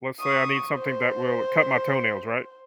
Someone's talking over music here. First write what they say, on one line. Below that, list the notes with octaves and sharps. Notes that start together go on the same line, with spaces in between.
let's say I need something that will cut my toenails, right?
C#6 D#6
C5